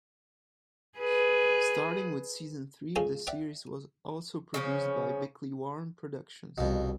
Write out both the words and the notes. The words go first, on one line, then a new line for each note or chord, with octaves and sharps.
Starting with season three, the series was also produced by Bickley-Warren Productions.
G#4 B4
C#3 F3 G#3 G#4 A4 C#5
D5 E5 F#5 G5 D6
C#3 F3 C#4
C2 F2 B2